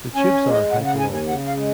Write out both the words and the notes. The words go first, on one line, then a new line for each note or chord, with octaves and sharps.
The tubes are Hypalon.
C#4 G#5
G#5
G#3
D#5
C#3 F#5
F#5
D#2 G#5
G#5
C#3 F#5
F5
G#3